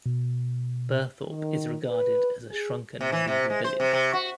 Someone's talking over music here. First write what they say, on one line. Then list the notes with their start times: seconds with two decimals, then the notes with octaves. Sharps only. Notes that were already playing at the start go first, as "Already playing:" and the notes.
Birthorpe is regarded as a shrunken medieval village.
0.06 B2
1.29 D#3
1.90 B4
2.51 G#4
3.01 C3
3.12 E3
3.28 C3
3.50 G#3
3.64 C5
3.80 C3
3.93 C3
4.13 F#4